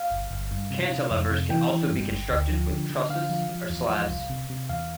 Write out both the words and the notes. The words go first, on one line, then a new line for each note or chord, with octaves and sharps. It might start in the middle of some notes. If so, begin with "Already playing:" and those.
Cantilevers can also be constructed with trusses or slabs.
Already playing: F5
G1
G1
G2
C3
C3
F2
C3
E3 G5
E3
G2
G1
D2
F3
D3
D3
D3 F5
F3
F3
E2
F3
C2
C3
C3
E2 F5